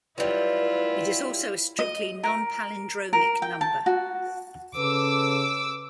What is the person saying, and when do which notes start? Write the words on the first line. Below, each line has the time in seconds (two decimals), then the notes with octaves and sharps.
It is also a strictly non-palindromic number.
0.18 F#3 G3 E4 F4 B4
1.79 D#5
2.23 A#4
3.13 A#4
3.42 G5
3.61 A5
3.86 F#4
4.77 C#3 A4 B4 D6 E6